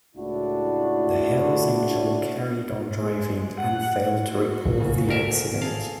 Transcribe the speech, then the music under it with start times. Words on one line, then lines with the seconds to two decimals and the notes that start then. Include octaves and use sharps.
The Hell's Angel carried on driving and failed to report the accident.
0.16 C#2 A2 D4 E4 F#4
2.99 G#3
3.59 F#5
4.22 A2 A#3 F#4
4.76 G#2 C#3
5.09 D2 A#4 E5
5.62 G#4 A4 F5